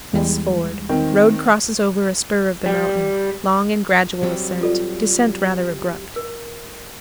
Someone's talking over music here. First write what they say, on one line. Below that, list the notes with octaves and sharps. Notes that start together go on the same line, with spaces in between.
Smith's Ford.--Road crosses over a spur of the mountain; long and gradual ascent; descent rather abrupt.
E2 G3 G#3
D#3 C4
G3
F#3 G3 C4
F4 A4 D5
A#4